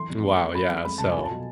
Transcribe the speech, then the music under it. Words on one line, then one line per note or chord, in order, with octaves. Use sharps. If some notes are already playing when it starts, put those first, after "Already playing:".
Mm, wow, yeah, so,
Already playing: E3 C6
F2
A3
F2
A3 B5
F2
G#3 B5
C2 A5
F4 G#5
A5
B2